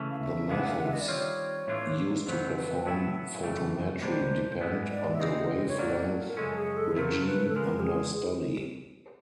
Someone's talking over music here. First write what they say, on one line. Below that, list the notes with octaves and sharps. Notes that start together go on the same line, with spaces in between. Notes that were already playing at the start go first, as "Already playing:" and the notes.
The methods used to perform photometry depend on the wavelength regime under study.
Already playing: C#3 E3 A3 C#4
F5
E5
C#3 E3 G#3 B3 D4 F5
F#5
F5
G5
F#5
E5
D#5
D5
D#3 G3 C4 F4 C#5
A2 E3 A3 D4 F4
F2 D3 F#3 B3 C5
B4
A2 F#3 B3 E4
F#2 C#3 E3 A3
B2 G3 A#3 D4 G4 C5
G#2 E3 G#3 B3
D5
E5
C#3 E3 G#3 C4 D#4 D#5
C#5
A2 F#3 A#3 D5
A#4
F#2 C#3 F3 G#3 C#4 A4
G#4
A4
C#3 F#3 A3 C4 E4 A#4
B4
A4
C#3 F3 G#3 A#4
G4
G#4